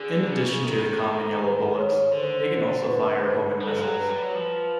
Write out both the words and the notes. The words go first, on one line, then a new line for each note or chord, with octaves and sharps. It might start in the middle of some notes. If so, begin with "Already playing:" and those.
In addition to the common yellow bullets, they can also fire homing missiles.
Already playing: D3 G#4
C#3
D#3 A4
B4
C#5
D3 C5
B4
G3 A4
F#3
F3
F#3
B4
G3
F#3
F3